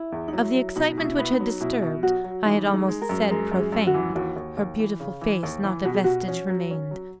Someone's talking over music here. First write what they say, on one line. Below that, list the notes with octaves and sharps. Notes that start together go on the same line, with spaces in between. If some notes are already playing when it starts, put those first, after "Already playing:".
Of the excitement which had disturbed--I had almost said, profaned--her beautiful face, not a vestige remained.
Already playing: E4
E2
D#4
F#3 E4
F#3
B2 D#4
B2 D#4
E4
B3
D#4
F#3
B2 E4
B2
F#3 F#4
F#3
E3 D#4
G#3
D#4
G#3
A#4
F#2
G#3 A#4
F#2
G#4
F#2
F#4
E3
D#2 F#4
D#2
D#2
E3
C#3
E3
D#2
E3
B2 F#4
G#4
B2 F#4
C#4
F#3
C#4
F#3